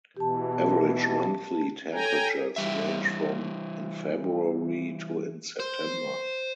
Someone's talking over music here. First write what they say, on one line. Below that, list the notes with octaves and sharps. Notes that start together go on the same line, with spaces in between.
Average monthly temperatures range from in February to in September.
B2 E3 G4 A5
A4 C#5 G5 G#5 A#5
E3 G3 E5
C5